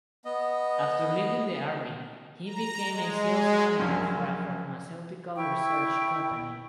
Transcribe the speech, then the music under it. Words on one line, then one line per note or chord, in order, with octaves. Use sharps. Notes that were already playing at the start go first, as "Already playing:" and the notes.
After leaving the army, he became a sales manager for a pharmaceutical research company.
B3 D#5
A#5
G#3
A#1 F#2
E4 G5 C#6